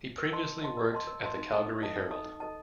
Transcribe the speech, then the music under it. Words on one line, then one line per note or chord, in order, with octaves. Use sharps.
He previously worked at the "Calgary Herald".
A#4
D#5 A5 C6
A#4
D#5 A5 C6
A#4
D#5 A5 C6
A#4
D#5 A5 C6
D#4
A4 D#5 A5
D#4
A4 D#5 A5
D#4
A4 D#5 A5
D#4
A4 D#5 A5